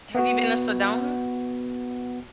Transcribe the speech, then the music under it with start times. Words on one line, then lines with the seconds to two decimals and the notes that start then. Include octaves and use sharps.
Have you been to Sedona?
0.15 B3 F#4